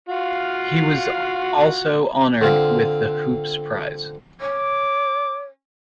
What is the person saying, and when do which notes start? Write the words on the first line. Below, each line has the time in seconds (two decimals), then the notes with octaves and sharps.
He was also honoured with the Hoopes prize.
0.09 F4 F#4 F5
2.41 D3 C4 F4
4.41 C#5 D6